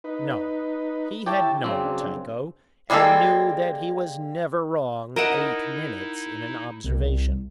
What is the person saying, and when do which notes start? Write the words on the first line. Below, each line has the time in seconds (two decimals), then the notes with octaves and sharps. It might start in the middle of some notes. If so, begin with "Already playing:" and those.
No, he had known Tycho, and knew that he was never wrong eight minutes in an observation.
0.04 D#4 B4
1.26 E4 G4 C#5 G5 A5
1.64 C#3 F#3 C4 D4
2.90 G3 G#3 A#3 C4 A4
5.16 D#4 E4 A#4 D#5 E5 F#5 D7 E7
6.84 C2